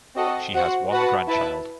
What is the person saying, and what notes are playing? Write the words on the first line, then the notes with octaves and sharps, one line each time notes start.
She has one grandchild.
C4 F#4 A4 D#5
F#4 C5 F#5
F#4 B4 F#5 A5
E4 B4 E5 A5